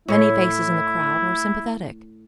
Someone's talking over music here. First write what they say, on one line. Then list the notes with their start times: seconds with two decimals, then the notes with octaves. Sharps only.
Many faces in the crowd were sympathetic.
0.08 A2 E4 C#5